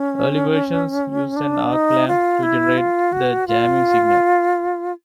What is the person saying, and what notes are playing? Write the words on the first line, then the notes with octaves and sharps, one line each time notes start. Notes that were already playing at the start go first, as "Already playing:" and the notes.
Early versions used an arc lamp to generate the jamming signal.
Already playing: C#4
D4
D#4
F4
E4
F4
F#4
F4